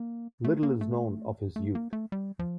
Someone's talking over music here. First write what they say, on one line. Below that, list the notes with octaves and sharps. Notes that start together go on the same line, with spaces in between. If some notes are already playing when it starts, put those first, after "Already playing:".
Little is known of his youth.
Already playing: A#3
A3
A#3
A3
A3
A#3
A3
G3
F3